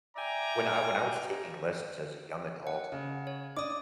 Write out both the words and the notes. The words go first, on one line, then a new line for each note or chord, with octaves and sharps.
when I when I was taking lessons as a young adult,
D5 E5 G5 G#5 A#5
F#5
C#3
C#5
D4 D5 D6 D#6